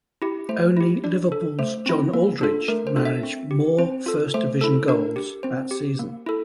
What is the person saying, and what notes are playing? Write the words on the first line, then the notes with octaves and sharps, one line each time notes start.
Only Liverpool's John Aldridge managed more First Division goals that season.
E4 G4
A3 C5
E4 G4
D4 D5
A4
A3 C5
C4 E4
A#3
D4 F4 A4
A3 A#4
C5
D4 F4 A4
E5
C4
G4
C4 C5
F4 A4
A3 C5
E4 A4
D4 A#4
G4
C4 C5
G4
A#3
E4 A4